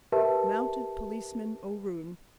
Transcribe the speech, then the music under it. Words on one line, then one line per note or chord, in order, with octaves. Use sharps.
Mounted Policeman O'Roon.
G4 A#4 B4 E5 A5